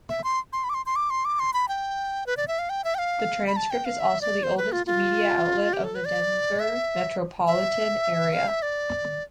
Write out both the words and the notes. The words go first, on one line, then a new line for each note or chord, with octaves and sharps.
The "Transcript" is also the oldest media outlet of the Denver metropolitan area.
E5
C6
C6
B5
D6
C6
C6
D6
C6
D6
C6
B5
G5
B4
D5
E5
F5
G5
E5
G5
F5
B5
A5
G5
F5
E5
D5
C5
B4
F4
F4
G4
A4
B4
D5
E5
E5
F5
E5
D5